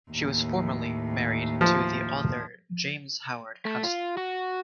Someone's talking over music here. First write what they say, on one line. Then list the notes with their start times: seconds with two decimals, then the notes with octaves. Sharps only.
She was formerly married to the author James Howard Kunstler.
0.11 D#2 A2
1.61 F3
3.65 A3
3.84 F4
4.17 F#4